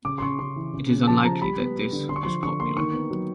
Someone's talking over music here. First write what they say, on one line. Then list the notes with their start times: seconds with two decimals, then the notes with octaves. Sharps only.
It is unlikely that this was popular.
0.05 C#3 D6
0.18 C6
0.22 C#3 C#6
0.39 C#3 C6
0.56 E3
0.74 C#3
0.90 C#3
1.07 F3 A5
1.24 F3 A#5
1.41 G3 B5
1.58 B3
1.75 G3
1.93 D3
2.09 D3 C6
2.16 C#6
2.23 F3 C6
2.43 D3 C#6
2.60 A#3 C6
2.77 D#3 C#6
2.93 B3
3.10 F#3